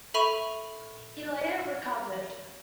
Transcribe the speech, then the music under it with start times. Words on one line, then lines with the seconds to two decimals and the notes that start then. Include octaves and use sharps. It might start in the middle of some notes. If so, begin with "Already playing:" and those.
He later recovered.
0.14 A4 E5 B5 C#6 D#7 F7